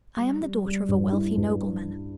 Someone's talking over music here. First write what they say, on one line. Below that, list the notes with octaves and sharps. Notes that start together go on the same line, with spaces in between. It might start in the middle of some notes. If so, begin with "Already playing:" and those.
I am the daughter of a wealthy nobleman.
G3
G3
G3
G2
E4
G2